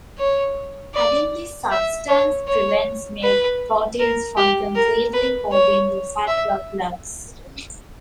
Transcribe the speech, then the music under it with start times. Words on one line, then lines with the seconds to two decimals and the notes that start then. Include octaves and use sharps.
Adding this substance prevents milk proteins from completely coating the fat droplets.
0.18 C#5
0.94 D5
1.71 E5
2.09 C#5
2.47 C#5
3.23 B4
3.99 A#4
4.37 G4
4.75 A#4
5.14 B4
5.52 C#5
6.27 E5